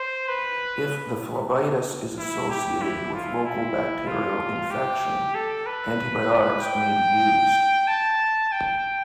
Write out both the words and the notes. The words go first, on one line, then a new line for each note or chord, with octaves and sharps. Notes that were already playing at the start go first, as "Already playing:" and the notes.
If the phlebitis is associated with local bacterial infection, antibiotics may be used.
Already playing: C5
B4
E4
G4
E4
F4
E4
F4
G4
A4
B4
G5
A5
G5